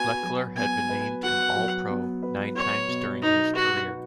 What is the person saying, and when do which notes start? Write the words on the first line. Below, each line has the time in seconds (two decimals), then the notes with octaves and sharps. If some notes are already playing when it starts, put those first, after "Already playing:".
Lechler has been named an All-Pro nine times during his career.
Already playing: B3 F#4 B4 G#5
0.23 F#3
0.56 B3 G#5
0.90 B4
1.23 F#4 F#5
1.56 F#3
1.89 B3
2.23 B4
2.55 F#4 C#5
2.88 B2
3.22 B3 D#4
3.55 F#4 B4
3.88 F#4